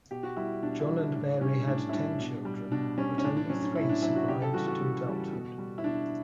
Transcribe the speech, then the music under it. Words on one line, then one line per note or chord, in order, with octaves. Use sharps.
John and Mary had ten children, but only three survived to adulthood.
B2 G4
F#4
G3 E4
B2 D4
E4
G3
D4
A2 D4
G3 C#4
A2 D4
E4
G3 D4
B2
G3
B2 D4
G3 C#4
C#4
A2 D4
D4
F#3 C#4
D4
A2 E4
D4
F#3 E4
F#4
C#3 G4
A4
E3 G3 F#4
F#4
C#3
E3 G3
B2
G3
E4
B2 D4